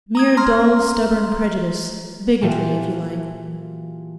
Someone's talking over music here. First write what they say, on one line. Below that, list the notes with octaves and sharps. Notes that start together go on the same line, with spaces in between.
Mere dull, stubborn prejudice; bigotry, if you like.
A#5 D#6 G#6
A#5 C6 F6
A#2 E3 F#3 F4 G4 A4